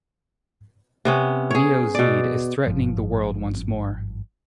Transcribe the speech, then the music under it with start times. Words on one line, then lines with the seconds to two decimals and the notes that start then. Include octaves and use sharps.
Neo Zeed is threatening the world once more.
1.05 C3 B3 C#4
1.51 G#4 C#5
1.95 B2 D5
2.67 G#1 G2 F3